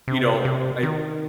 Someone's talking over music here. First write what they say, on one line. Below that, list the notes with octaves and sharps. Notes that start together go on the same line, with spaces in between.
you know, I
C3
C3
D#3